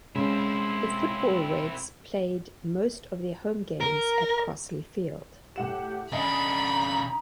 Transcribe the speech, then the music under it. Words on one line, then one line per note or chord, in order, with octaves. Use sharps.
The football Reds played most of their home games at Crosley Field.
C#3 G#3 C4 E4 C6
A#4
A2 G4 F#5 E7
C#3 D4 D#5 G#5 A#5 B5